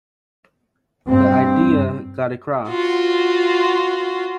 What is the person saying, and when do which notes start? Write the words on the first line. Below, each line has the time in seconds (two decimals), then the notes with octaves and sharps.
The idea got across.
1.07 G2 C4
2.69 F4 F#4